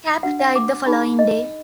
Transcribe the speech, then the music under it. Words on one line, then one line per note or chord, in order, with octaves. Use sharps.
Kapp died the following day.
D4 F#4 B4 F#5
F#5
D6
D#4 G#4 B4 B5
D#5